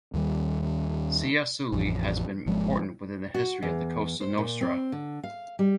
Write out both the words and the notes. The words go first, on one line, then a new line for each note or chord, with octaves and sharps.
Ciaculli has been important within the history of the Cosa Nostra.
D#2 D#3 G3
A1 F2
G#1 F3 G#3
F#4
E2
C5
A#2
C4
D3
F5
G3